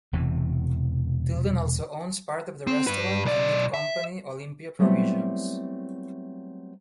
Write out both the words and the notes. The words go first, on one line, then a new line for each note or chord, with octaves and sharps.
Tilden also owns part of the restaurant and meat company Olympia Provisions.
E1 E2 C3 E3
C4
G2 B4
B1 D5
E5
F#3 G3 A3 B3 C4 E4